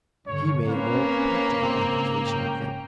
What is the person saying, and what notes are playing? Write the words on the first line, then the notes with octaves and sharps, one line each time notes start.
He made a more practical application of them.
G2 D3 C#5
A#3 C4 C#4 B4 C#5 F5
G#2 C#3 C4
C#4 G5